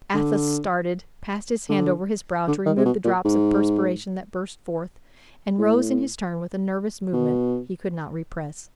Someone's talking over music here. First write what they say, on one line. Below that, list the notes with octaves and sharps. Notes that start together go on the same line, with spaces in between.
Athos started, passed his hand over his brow to remove the drops of perspiration that burst forth, and rose in his turn with a nervous movement he could not repress.
D3
D3
D3
D#3
C3
B2
A#2
G#2
A2
B2